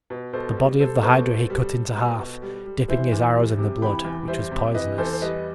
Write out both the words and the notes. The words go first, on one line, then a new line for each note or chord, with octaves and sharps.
The body of the hydra he cut into half, dipping his arrows in the blood, which was poisonous.
B2
B2 A4 C5
G3
G3 A4 C5
B2 A4 C5
B2
G3
G3
B2
B2
G3
G3
E3 C5 E5
E2
G3
C3
E3 G5 B5
E2
G3 C5 E5
C3
E3 B4 D#5
E2 A4 C5
C5
G3 B4 D#5